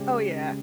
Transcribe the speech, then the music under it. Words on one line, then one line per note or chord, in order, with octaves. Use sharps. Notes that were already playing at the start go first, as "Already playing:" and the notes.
Oh, yeah.
Already playing: C#3 G#3 C#4 G4
C#3